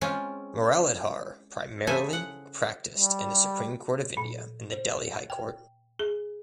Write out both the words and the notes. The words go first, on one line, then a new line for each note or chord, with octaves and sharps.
Muralidhar primarily practiced in the Supreme Court of India and the Delhi High Court.
G#3 C4 C#4 F4
C#3 G#4 A4 C5 E5 G#5
F#5
G3
A#2
C5
G5
G#4